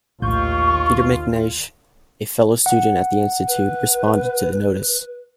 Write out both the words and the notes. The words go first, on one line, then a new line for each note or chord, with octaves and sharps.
Peter McNeish, a fellow student at the Institute, responded to the notice.
A#1 D#2 A2 F4 C#6 G6
F#5
B4